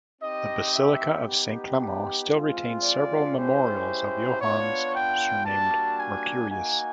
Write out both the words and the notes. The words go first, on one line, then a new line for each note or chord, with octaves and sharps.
The basilica of Saint Clement still retains several memorials of "Johannes surnamed Mercurius".
C4 D#4 G4 D#5
E5
B3 D#4 G4
G#3 C4 F4
D5
G#3 C#4 E4 G4 C5
B3 D4 F4 C#5
G5
G3 A#3 D4 F#4 A5
G#5
A#3 D#4 F#4 G#5